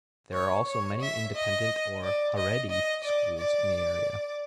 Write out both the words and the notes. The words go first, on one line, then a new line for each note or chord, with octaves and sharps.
There are also many independent or Haredi schools in the area.
C#5
C#5
E5
D#5
D5
D#5
D#5
D5
D5